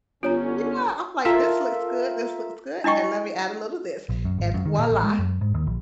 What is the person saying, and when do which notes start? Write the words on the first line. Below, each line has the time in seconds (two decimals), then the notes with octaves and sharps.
Yeah. I'm like, "This looks good, this looks good. And let me add a little this and voila.
0.23 G1 D3 C#4 D4 F4 C#5 A#5
1.25 F4 A4 A#4 E5
2.84 D4 E4 D#5 G5 C#6
4.09 A#1
4.25 F#2
4.38 G#1
4.54 F#2
4.66 D#3
4.79 A#2
4.90 A1
5.03 G#3
5.19 F#2
5.41 G#2
5.54 D#2
5.67 A#1